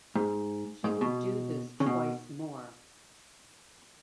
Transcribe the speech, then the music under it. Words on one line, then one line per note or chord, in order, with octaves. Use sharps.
He would do this twice more.
G#2
G#2
B2
C#3
B2